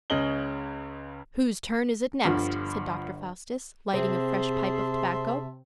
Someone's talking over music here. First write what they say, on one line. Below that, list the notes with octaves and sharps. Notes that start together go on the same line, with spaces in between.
"Whose turn is it next?" said Doctor Faustus, lighting a fresh pipe of tobacco.
C#2 C#3 C#4 D#5 F#7 G7
G1 G2 D3 F3
C3 C4 G#4 E5 A5 C6